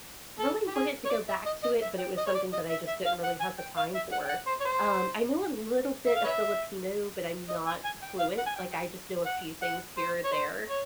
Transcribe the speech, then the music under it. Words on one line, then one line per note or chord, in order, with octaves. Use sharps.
really wanted to go back to it, but it was something that I just didn't really have the time for. Um, I know a little bit of Filipino, but I'm not fluent. Like, I just know a few things here or there.
A4
G4
G#4
C#5
D5
E5
D#5
D#5
E5
G5
D#5
C#5
D5
D#5
E5
E5
F5
F#5
G#5
G5
F5
E5
F#5
G5
F#5
C5
C#5
C5
E5
F5
B4 C#5 E5
D#5
G#5
G#5
G5
F5
F#5
G#5
G5
G5
F#5
F#5
C5
C#5
C5
C#5